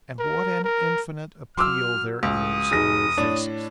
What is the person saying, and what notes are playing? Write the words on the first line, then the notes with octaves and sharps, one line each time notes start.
And what an infinite appeal there is in their faces!
A#4
A#4
F#3 C6 D6 E6 F6
C#2 D#6
F1 D#4 F#4 G#4 A#6
A2 D4 C#5 D5